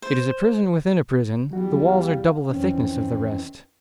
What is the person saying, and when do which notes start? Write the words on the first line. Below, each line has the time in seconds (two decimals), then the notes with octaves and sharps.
It is a prison within a prison; the walls are double the thickness of the rest.
0.02 C5
1.51 E2 F#3 G3 F#4
1.88 F5
2.50 F2 D#3 E3 C4 C#4